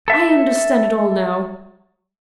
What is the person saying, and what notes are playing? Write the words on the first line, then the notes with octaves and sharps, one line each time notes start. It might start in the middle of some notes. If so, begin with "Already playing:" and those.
I understand it all now.
A4 E5